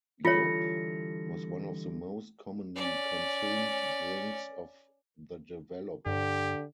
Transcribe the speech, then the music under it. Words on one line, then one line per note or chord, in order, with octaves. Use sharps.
Yop was one of the most commonly consumed drinks of the developers.
D3 E3 G3 F4 A4 C#5 A#6 C#7
C#4 D5
G2 D3 G4